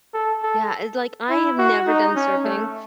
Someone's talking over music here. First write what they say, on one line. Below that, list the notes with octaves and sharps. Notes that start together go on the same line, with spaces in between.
Yeah, it's like, I have never done surfing.
A4
A4
E4
F#4
D#4
C#4
A3